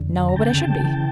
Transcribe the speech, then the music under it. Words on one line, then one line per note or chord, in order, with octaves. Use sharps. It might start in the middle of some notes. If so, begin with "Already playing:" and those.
"No--but I should be."
Already playing: F2 D3
A#5
C#3 G5 A5
E3